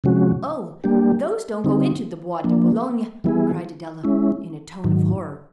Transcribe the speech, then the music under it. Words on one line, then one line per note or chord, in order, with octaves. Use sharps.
"Oh, those don't go into the Bois de Boulogne," cried Adela, in a tone of horror.
C3 F3 G#3 C#4 F#4
G3 A#3 D4 G4
D3 G3 C4 D#4
F3 A#3 D4
E3 G3 B3 E4 G#4
G#3 C#4 E4
G#2 D#3 F#3